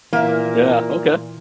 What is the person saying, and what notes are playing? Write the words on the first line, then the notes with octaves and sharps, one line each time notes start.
Yeah. Okay.
A#2 E3 A#3 E5 F#5